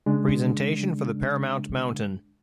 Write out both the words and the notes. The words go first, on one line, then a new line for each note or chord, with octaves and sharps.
Presentation for the Paramount mountain.
C#3 G#3 D4